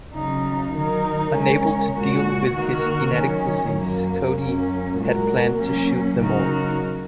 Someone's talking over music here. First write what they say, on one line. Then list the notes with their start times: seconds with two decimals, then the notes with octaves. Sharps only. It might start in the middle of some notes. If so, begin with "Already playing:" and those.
Unable to deal with his inadequacies, Cody had planned to shoot them all.
0.13 C#3 F#3 D#4
0.74 D#3 F#3 D#4 A#4
1.35 C#3 G#3 C#4 A#4
1.95 A#2 G#3 F#4
2.55 D#3 A#3 F#4 A#4
3.15 D#3 F#3 C#4
3.76 F#2 F#3 A#3
4.36 F#2 F#3 A#3 C#4
4.96 A#2 G#3 F#4 A#4
5.57 F#3 A#3 C#4
6.17 C#3 F#3 D#4 F#4 A#4